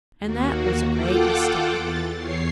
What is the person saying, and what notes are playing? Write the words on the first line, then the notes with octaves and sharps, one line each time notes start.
And that was a great mistake.
D#2 A#3 F#4
F4 A4 F#5 G5 D6
E2 A6
E2 C#5 C7